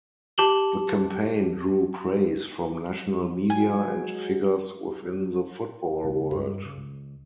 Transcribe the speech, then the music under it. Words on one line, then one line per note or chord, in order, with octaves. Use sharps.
The campaign drew praise from national media and figures within the football world.
G4 A5 D6 E7 F#7 G7
F#3 G#3 G#5
C#2
G2
C#3
C#2